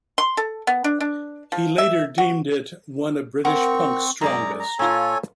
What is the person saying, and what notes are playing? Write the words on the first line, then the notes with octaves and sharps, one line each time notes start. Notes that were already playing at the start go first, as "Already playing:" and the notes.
He later deemed it "one of British punk's strongest".
C6
A4
B3
D4
D4
F3
E5
F#4
C4 A#4 F#5 C#6
F#2 G#3 D5 A#5
A#5
A#2 F4 A4 C#5 G#5